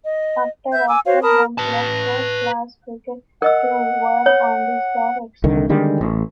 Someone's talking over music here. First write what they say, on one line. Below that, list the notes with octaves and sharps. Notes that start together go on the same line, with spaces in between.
After Oxford, Holmes left first-class cricket to work on the Stock Exchange.
D#5
E5 G6
G#5 D6 E6
F#4 C5 C#5 F5
A#4 A5 B5 D#6
B4 A5
A#4 D#5 F#5 E6
C#5
C2 D3 D#3
D3 D#3 G3 G#3
A1